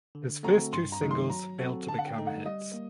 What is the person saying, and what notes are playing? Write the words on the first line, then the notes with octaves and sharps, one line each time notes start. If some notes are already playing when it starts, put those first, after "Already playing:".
His first two singles failed to become hits.
D3
A3 C4 F#4 A4 A#5
G2 C6
A#5
D#3 F#3 A3 D#4
C6
F#3 A#5
C4 F#4 A4
D3 A5
F#5
G5
A3 D#4 A4
F#5
G3 D#5
A#3